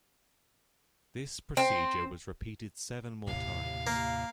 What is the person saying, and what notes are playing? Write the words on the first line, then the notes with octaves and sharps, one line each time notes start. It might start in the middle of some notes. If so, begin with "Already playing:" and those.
This procedure was repeated seven more times.
C4
D#2 A2 C3 F5
A#3